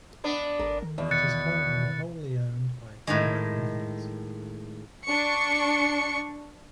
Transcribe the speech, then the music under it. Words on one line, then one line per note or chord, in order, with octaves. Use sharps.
It is currently wholly owned by Kabo Holdings.
B3 D4
G#1 A#4
D#3
E2 B2
F#6 A6 C#7
A2 D#3 G#3
D4 C#6 C#7